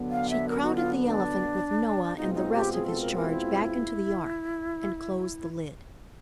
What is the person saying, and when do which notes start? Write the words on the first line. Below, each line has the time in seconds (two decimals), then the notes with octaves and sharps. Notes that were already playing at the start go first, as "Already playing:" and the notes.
She crowded the elephant with Noah and the rest of his charge back into the ark and closed the lid.
Already playing: D3 F#3 B3
0.11 F5
0.30 E5
0.49 A#4
0.62 F#4
0.76 F4
1.04 D4
2.16 B2 G#3 C4 D#4 F4
2.35 D#4
2.54 G4
2.73 G#4
2.86 A4
3.01 A#4
3.14 A#4
3.29 E4